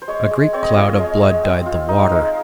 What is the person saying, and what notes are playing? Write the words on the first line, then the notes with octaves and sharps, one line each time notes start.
A great cloud of blood dyed the water.
C5
G#3 C#5
G#3
C4 C#5
D#5
F4 C#5
G#3
G#3
C4
F4
D#4
G#3